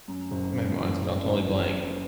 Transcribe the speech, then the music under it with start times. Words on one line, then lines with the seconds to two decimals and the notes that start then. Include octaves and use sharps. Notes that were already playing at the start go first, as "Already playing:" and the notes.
my mind's gone totally blank.
0.08 F#2
0.31 F#1
0.54 F#1
0.77 E3
1.01 F#1
1.25 F#1
1.47 E3
1.71 B3